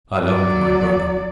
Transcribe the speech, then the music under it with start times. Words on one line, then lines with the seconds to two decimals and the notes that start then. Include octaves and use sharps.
I loved my brother.
0.24 F#3 D5